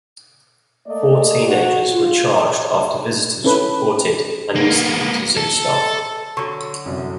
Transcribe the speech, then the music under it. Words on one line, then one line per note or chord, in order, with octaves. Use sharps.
Four teenagers were charged after visitors reported an incident to zoo staff.
A3 A#3 A4 D5 D#5
F#4
F4
C#4 E4 A4 B4
A#3 B3
A4
D3 F#3 C#6
C2 F#2